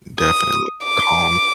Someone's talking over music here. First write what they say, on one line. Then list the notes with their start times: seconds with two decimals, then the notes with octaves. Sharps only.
Definitely calm.
0.19 D#6
0.84 D6